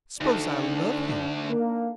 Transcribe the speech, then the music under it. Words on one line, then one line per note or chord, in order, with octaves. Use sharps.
"S'pose I love him?"
D2 D4 D#4 A4
A#3